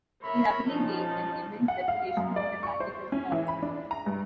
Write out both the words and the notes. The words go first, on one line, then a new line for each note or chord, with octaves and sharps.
He rapidly gained an immense reputation as a classical scholar.
A#4 C#5 E5 B5
F3 C#4 D#4 A5
F#5
F5
F#2
D5
C#6
C5
C#4
E3
B5
D4
A#5
G2